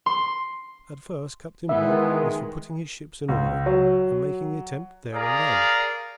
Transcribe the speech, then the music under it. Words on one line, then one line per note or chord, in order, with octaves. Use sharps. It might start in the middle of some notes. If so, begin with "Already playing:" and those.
At first Captain Blood was for putting his ships in order and making the attempt there and then.
C6
D#3 E3 G#3 B3 E5
C#2
F#3
G#4 A#4 D5 F5 A#5